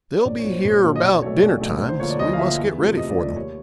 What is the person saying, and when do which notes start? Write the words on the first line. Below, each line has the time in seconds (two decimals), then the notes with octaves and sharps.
They'll be here about dinner-time, so we must get ready for them.'
0.17 C#5
0.25 A#1 D5
0.39 C#5
0.44 A#2 F#3
0.52 C5
0.65 A#1 C#5
0.84 A#2 F#3
0.96 D#5
1.04 B1 D5
1.22 B2 F#3 A3 C#5
1.42 B1 D5
1.61 B2 F#3 A3
1.81 D2
1.89 C5
2.00 D3 F3 A#3 C#5
2.10 D5
2.19 D2 D#5
2.33 F5
2.39 D3 F3 A#3 E5
2.58 E2
2.78 C3 F3 A3
2.97 E2 D#5
3.10 D5
3.17 C3 F3 A3
3.23 D5
3.36 D#2 C#5